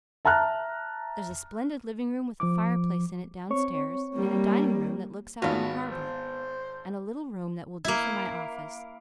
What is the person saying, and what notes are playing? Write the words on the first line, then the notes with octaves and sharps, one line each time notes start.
There's a splendid living room with a fireplace in it downstairs, and a dining room that looks out on the harbor, and a little room that will do for my office.
E5 A5 A#5 F6 F#6
F3 D6
C4 C#5 C#6
G3 A#3
G#1 B3 F4 F#4 F5
C5
A#3 E4